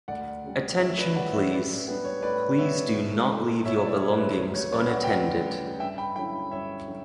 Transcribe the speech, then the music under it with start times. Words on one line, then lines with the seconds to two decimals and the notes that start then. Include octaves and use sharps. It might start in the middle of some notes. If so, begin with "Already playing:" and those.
Attention please, please do not leave your belongings unattended.
0.08 D2 D5 F#5
0.44 C#3 G3
0.79 D2 C#5 E5
0.98 B4 D5
1.15 C#3 D5 F#5
1.18 G3
1.33 C#5 E5
1.51 A2 B4 D5
1.87 G3 B3 D4 B4
2.05 C#5
2.22 A2 B4 D5
2.58 G3 B3 D4 C#5 E5
2.94 B2
3.30 A3 E4
3.65 B2 C#5 E5
3.85 D5
3.89 C#5
4.01 A3 E4
4.13 B4
4.37 D2 C#5
4.55 C#5
4.73 C#3 G3 B4 D5
4.90 D5 F#5
5.04 G5
5.08 D2 D5 F#5
5.44 C#3 G3
5.80 G2 E5 G5
5.98 G5 B5
6.16 D3 F#3 C#4 E4 G5 B5
6.51 G2 C#5 E5
6.87 D3 F#3